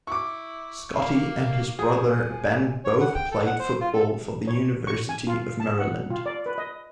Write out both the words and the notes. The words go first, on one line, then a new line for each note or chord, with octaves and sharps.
Scotti and his brother Ben both played football for the University of Maryland.
E4 C#6 D6
A#3 F5
F3 G#4 G#5
C#5
F#5
G5
A4
F#5
C5
F4
A4
C#5
C#6
G#5
F4
A5
F#5
F4
D5
B4
D#5